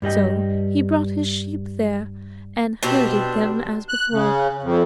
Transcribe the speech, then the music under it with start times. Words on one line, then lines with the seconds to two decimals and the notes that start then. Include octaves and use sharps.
So he brought his sheep there, and herded them as before.
0.02 G2 G3 D#5 G5
2.83 B2 C4 D4 G4
3.89 F#6
4.13 C#3
4.63 F2